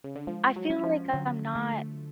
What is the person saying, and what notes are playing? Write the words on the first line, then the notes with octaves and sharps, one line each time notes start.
I feel like I'm not
C#3
D3
F3 G#3
F#3
C#4
F3
D3 F#3
D3 A3